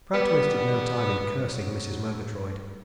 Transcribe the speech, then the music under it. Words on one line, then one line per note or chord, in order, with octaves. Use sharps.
Pratt wasted no time in cursing Mrs. Murgatroyd.
B2 G3 B3
B2 F#3